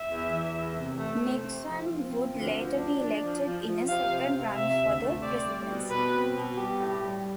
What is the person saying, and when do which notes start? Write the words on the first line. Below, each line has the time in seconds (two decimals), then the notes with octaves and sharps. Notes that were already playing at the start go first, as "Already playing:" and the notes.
Nixon would later be elected in a second run for the presidency.
Already playing: E5
0.09 E2
0.31 E3
0.53 E2
0.76 C3
0.98 A3
1.21 C4
1.43 C3
1.66 F3
1.87 F3
2.10 C4
2.32 D2
2.55 F3
2.77 D4
2.99 D4
3.21 F3
3.44 F3
3.67 F3
3.89 C3 F5
4.11 C3
4.34 C3
4.56 C3 E5
4.78 D2
5.01 A3
5.23 C4 D5
5.45 G3
5.68 B2
5.90 B2 B4
6.13 C4
6.35 B2
6.57 G3 G4
6.80 A2
6.91 G4
7.02 G3